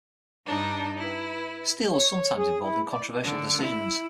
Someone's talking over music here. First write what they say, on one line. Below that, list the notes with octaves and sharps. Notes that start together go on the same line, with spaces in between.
Steele was sometimes involved in controversial decisions.
G2 D4 D#4
E4 B4
C#5
G#4
E4
D5
D3
E4